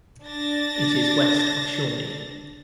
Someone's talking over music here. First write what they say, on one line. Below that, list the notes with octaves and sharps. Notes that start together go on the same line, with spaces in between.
It is west of Shawnee.
D4 A6 A#6